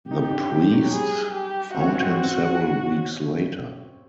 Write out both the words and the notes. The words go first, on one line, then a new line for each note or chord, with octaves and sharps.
The priests found him several weeks later.
D#4 G4
D#4
D4
C#4
C4
A3
F#3
F#3
G3 G#4
G4
C4 F#4
C#4
C4
C#4
C4
C#4
C4
C#4